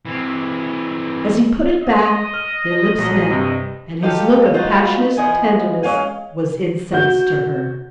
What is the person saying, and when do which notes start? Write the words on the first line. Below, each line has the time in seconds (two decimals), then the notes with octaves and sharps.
As he put it back their lips met, and his look of passionate tenderness was incense to her.
0.05 E3 C4
1.82 D#5
2.34 F6
2.98 A#1 F#3
3.31 G2 C3
4.03 D#4 F4 G4 A4 F5
4.54 D#4 F4 F#4 C5 D#5
5.17 E3 F3 D#5 G#5
5.83 G#3 C#4 F5 G#5
6.92 F#4 G6